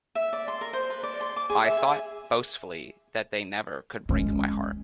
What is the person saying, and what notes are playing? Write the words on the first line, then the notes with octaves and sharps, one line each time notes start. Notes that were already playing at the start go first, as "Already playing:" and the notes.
I thought, boastfully, that they never could break my heart.
E5
D5
C6
A#4
C5
B4
D5
C6
D6
G#4
E5
G#4
G#3 C#4